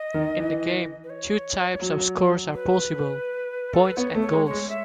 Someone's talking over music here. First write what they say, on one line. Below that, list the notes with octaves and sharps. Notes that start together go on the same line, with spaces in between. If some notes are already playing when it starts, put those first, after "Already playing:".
In the game, two types of scores are possible: points and goals.
Already playing: D#5
D#3
E3
B4
C#5
F#3
B4
A4
B4
B3 C#5
A3
C#5
G#3
G#3 C#5
E5